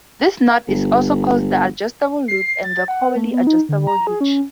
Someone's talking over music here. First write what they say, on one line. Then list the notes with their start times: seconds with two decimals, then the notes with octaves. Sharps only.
This knot is also called the adjustable loop and the Cawley adjustable hitch.
0.68 G1
2.28 C7
2.64 A6
2.88 F#5
3.16 A3
3.33 B3
3.47 D#4
3.69 D3
3.87 A#5
4.07 G#4
4.21 C#4